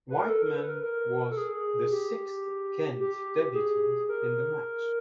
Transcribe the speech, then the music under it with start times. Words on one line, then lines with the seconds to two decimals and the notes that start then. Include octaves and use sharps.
Wightman was the sixth Kent debutant in the match.
0.10 B4
0.19 A#4
0.29 A4
0.42 A#4
0.56 B4
0.69 A#4
0.83 A#4
1.32 A4
1.37 G#4
1.91 G4
3.00 G4
3.55 G#4
4.09 A#4